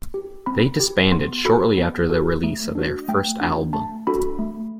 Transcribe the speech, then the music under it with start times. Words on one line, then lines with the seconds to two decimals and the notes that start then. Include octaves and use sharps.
They disbanded shortly after the release of their first album.
0.14 G4
0.46 C4 B5
0.80 G4
1.12 B3 C6
1.45 F#4 A4 B5
1.77 B3
2.10 F#4 A4
2.44 A3
2.75 D4 F#4
3.08 A3 G5
3.41 D4 F#4
3.73 A3 A5
4.07 D4 F#4 A4 B5
4.39 A3